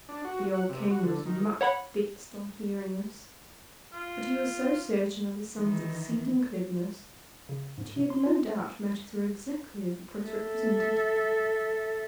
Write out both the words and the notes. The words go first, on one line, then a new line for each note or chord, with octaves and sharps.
The old King was much vexed on hearing this, but he was so certain of his son's exceeding cleverness that he had no doubt matters were exactly as the Prince represented.
D4
F#4
F#5
C3
F#4
D3
D#3
C#5 F#5 B5
F4
D#3 E3
C#3
G#2
C3
C6
F4
A4 E5